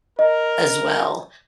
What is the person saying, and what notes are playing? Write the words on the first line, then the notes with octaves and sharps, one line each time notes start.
as well.
A#4 D#5